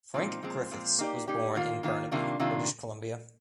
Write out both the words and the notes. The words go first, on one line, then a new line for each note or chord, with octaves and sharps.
Frank Griffiths was born in Burnaby, British Columbia.
A#2 F3 C4 D#4
A#2 F3 G#3 C4
A#2 F3 G#3 C4
A#3 D#4 G4 D5
A#3 D#4 G4 D5
D#3 A#3 F4
D#3 A#3 F4
C3 D#3 A#3 D4 F4
C3 D#3 A#3 D4 F4